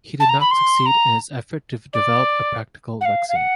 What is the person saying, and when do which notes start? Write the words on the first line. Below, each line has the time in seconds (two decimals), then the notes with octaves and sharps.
He did not succeed in his effort to develop a practical vaccine.
0.20 A5
0.29 A#5
0.40 B5
0.51 C6
0.85 A#5
1.93 D5
3.00 F#5
3.05 F5
3.28 F5
3.35 F#5